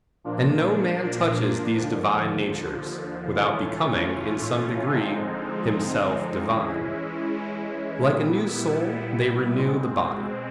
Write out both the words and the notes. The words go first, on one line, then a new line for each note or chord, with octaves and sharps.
And no man touches these divine natures, without becoming, in some degree, himself divine. Like a new soul, they renew the body.
A#2 F3 A#3 D4
D#2 D3 F3
A2 E3 A3 C#4 F4
D3 F3 G#3 C4 D#4
E3 G#3 C#4 E4
A#2 G3 B3 E4
B2 G#3 C4